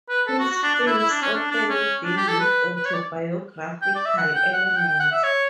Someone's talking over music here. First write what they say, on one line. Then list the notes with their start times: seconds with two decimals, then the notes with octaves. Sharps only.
His films often deal with autobiographical elements.
0.09 B4
0.27 A4
0.39 F#4
0.51 F#4
0.63 D4
0.75 D4
0.87 E4
0.98 E4
1.10 D4
1.22 C#4
1.34 D4
1.51 D4
1.69 C#4
2.04 D4
2.17 G4
2.28 A4
2.40 B4
2.75 B4
2.85 C#5
2.93 D5
3.82 G5
3.95 D5
4.05 E5
4.18 F#5
4.35 G5
4.53 F#5
4.65 F#5
4.76 G5
4.88 G5
5.00 F#5
5.12 E5
5.23 C#5